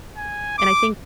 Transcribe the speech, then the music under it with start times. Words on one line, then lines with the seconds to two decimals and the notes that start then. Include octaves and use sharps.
and I think
0.17 G#5
0.58 D6